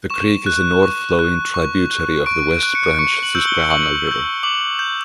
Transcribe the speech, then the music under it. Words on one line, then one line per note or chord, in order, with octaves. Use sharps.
The creek is a north-flowing tributary of the West Branch Susquehanna River.
C#6 E7
F#6
C#6
F#6
C#6
F#6
C#6 D7
D7
F#6
C#7
D7
C#6 C#7
F#7
E6 G6
G7
C#6 F#7
E6 G6
D6 F#7
G6